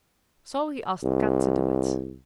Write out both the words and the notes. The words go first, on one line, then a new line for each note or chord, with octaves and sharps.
So he asked Kat to do it.
C2